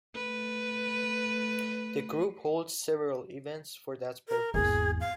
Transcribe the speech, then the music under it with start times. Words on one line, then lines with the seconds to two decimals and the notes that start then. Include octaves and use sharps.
The group holds several events for that purpose.
0.15 A3 B4
4.29 A#4
4.54 G#1 E2 G#4
5.00 F5